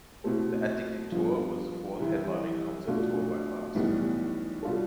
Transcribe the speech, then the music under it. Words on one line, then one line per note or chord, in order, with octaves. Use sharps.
The Addicted Tour was the fourth headlining concert tour by Clarkson.
B2 A3 C4 E4 A4
G2 F3 B3
C2 C3 E3
B2 A3 D4 F4
B1 A2 E3 G3 B3
B2 G3 D4 F4 A4